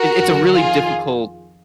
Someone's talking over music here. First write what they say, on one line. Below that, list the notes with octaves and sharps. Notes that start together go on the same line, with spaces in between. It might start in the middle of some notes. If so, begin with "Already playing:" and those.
it it's a really difficult
Already playing: F#4 A#4
F#2 D3
F2 D#3 F4 G#4